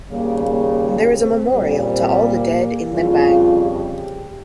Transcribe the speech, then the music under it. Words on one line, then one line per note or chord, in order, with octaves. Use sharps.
There is a memorial to all the dead in Limbang.
D#2 C#3 G3 A#3
A#3
C4
A#2 G3
C4
A#3
F2 C#3 G3 F4
G4